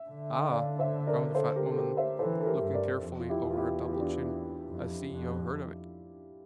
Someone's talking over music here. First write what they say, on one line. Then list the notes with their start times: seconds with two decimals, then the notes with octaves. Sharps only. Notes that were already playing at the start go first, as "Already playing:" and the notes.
"Ah!" groaned the fat woman, looking tearfully over her double chin, "I see you have heard of it."
Already playing: E5
0.09 D3
0.51 D5 F5
0.79 C5 E5
1.07 A#4 D5
1.23 A#4
1.35 A4 C5
1.56 G4 A#4
1.71 A4
1.76 G4 A#4
1.97 C5 E5
2.19 E3 A4 C5
2.41 A4
2.46 G4 A#4
2.60 G2
2.74 A#4 D5
3.02 F2
3.19 F4
3.29 E4 G4
3.44 E2
3.51 F4
3.57 E4 G4
3.86 F4
3.93 G4
4.00 D4 F4
4.69 F2
5.11 F2